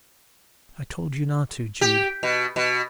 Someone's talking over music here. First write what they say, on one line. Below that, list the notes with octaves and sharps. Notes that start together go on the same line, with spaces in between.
"I told you not to, Jude!"
G4
B2
B2